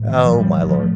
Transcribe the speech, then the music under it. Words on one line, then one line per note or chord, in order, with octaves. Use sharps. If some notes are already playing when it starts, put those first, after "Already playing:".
Oh my lord.
Already playing: A2
D#3
F3
G3
F3
D#3
F3
A3